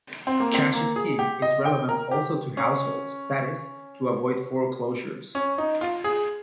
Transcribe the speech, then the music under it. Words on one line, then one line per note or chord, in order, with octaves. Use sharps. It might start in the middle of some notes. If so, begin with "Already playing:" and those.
"Cash is king" is relevant also to households, that is, to avoid foreclosures.
C4
A#3
C4
A#3
G#4
G4
D#5
G5
A#4
G4
C#4
C#4
D#4
F4
G#4